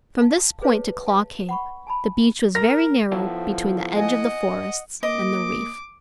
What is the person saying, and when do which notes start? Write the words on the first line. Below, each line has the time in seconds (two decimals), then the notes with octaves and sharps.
From this point to Claw Cape the beach was very narrow between the edge of the forest and the reefs.
0.21 F5 A5
0.62 G#4 B4 C#5 F5 A5
1.07 F5 A5
1.49 F#5 B5 C#6
1.87 G#5 A5 B5
2.55 A#4 A#6
3.12 F3 B3 E4 A4
3.96 D#5 F#5 G#5
5.03 A#3 D#5 D6